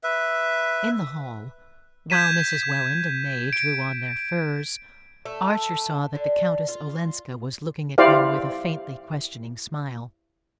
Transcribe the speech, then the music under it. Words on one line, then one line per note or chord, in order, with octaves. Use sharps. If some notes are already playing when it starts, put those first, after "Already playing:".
In the hall, while Mrs. Welland and May drew on their furs, Archer saw that the Countess Olenska was looking at him with a faintly questioning smile.
B4 E5
G6 G#6 B6 D#7 E7
D7
A3
D3
F4
E4 G4 C5 D5 F5